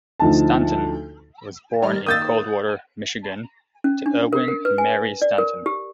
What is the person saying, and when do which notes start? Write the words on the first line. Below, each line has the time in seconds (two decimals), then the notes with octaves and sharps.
Stanton was born in Coldwater, Michigan to Erwin and Mary Stanton.
0.20 D2 F3 D#4 A5
1.82 D#3 G3 F6
2.06 D#3 A#3 D#6 E6 G6 A6
3.84 C#4
4.06 D4
4.33 A#4
4.48 A#4
4.65 B4
4.78 G#5
5.22 D5
5.38 A#4
5.66 G4